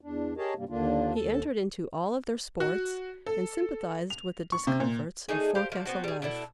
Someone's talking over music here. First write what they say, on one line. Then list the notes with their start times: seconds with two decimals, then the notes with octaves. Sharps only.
He entered into all of their sports and sympathized with the discomforts of forecastle life.
0.01 E2 D4
0.37 G4 G#4 A#4 C#5 D#5 A5
0.57 G2 C3 G3 A#3
0.69 D#2 D3 A#3 D4 F4
1.15 D#2 A4 A5
2.60 F#4
3.26 A4
4.10 F7
4.52 C#6
4.67 C3
4.80 A#2
5.29 A3 D4 D#4 G#4
5.55 G4 C5 F5
5.72 F3 D4
5.86 B3 C4 F#4
6.04 G3 G#4
6.22 B2 D4 E4 A4